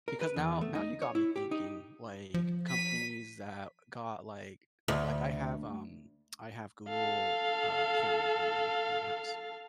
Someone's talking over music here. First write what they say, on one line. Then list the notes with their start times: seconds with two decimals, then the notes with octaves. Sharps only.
because now now you got me thinking, like, companies that got like like, I have, um, I have Google, uh, cameras at my at my house,
0.08 A#4
0.21 B4
0.36 E2
0.61 A3
0.75 D#4
1.02 C#5
1.15 E4
1.36 G4
1.51 D#4
2.34 F3
2.69 B6 D#7
4.88 D2
6.89 A4 F5